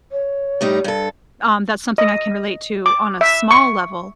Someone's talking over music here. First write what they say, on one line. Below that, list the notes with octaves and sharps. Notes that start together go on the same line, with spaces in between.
um, that's something I can relate to on a small level,
C#5
A2 G3 D#4
G2 A4
D#5
D6
E5
C#6